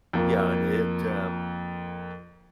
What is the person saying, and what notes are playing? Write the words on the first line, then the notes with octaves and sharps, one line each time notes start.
Yeah, and it, um,
F2 A#3